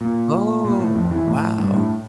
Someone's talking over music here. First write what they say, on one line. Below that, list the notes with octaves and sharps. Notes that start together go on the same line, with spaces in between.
Oh, wow.
A#2
A#2
A2
F2
E3
A2
G2
A2